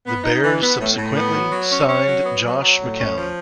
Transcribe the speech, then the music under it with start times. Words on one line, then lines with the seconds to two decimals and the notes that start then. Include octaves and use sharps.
The Bears subsequently signed Josh McCown.
0.06 B3
0.24 D#4
0.43 E3
0.61 B3
0.80 A2
0.97 A2
1.16 B3
1.34 F#3
1.51 F#3
1.71 C#4
1.88 C#4
2.06 F#3
2.24 B3
2.43 F#3
2.62 F#3
2.79 A2
2.98 C#4
3.16 F3